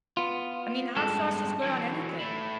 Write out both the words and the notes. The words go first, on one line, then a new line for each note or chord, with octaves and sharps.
I mean, hot sauce is good on anything.
B3 F4
G2 G#3 A4
E3 F#3
A3 E4